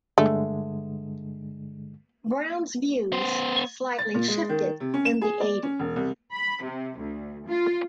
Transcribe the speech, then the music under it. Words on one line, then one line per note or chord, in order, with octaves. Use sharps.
Brown's views slightly shifted in the eighties.
G2 D3 G#3 A3
B3 C5
A6
A#2
G#3
D#3
C3
C#4
E7
G#4
D5
C#4
E1
C2
B5
C3
D2
F4